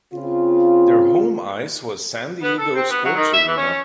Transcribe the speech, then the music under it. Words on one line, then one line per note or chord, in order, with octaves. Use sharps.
Their home ice was San Diego Sports Arena.
C#3 C4 F4
B3
A4
C4
B3
F#3
D#3
E5
E3
C#4